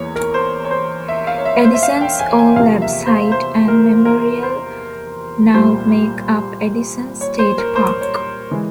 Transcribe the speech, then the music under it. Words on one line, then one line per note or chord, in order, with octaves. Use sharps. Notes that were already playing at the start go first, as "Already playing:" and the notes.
Edison's old lab site and memorial now make up Edison State Park.
Already playing: E2 E3 A#3 C#5
A#4
C5
C#5
C5
E5
F5
C#5
E5
C5
E5
F5
G5
G#5
G#5
E2 C3 F3 A#3 F5
E5
C5
C5
A#4
A#4
C5
C2 A#2 G3 C5
C#5
C5
A#4
C5
C#5
E3 G#3